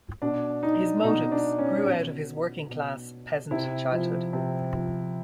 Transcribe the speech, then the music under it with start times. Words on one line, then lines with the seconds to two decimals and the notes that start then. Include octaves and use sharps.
His motives grew out of his working-class peasant childhood.
0.22 B2 D4
0.63 D#4
1.04 B2 D#4
1.32 D4
1.59 C#4
1.86 B2
2.69 B2
3.51 C3 E4
3.92 F3
4.33 C3
4.75 F3